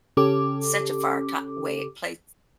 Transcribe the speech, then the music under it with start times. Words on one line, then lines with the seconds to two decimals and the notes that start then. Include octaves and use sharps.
such a far top way place.
0.17 C#3 C#4 G4 A4 D6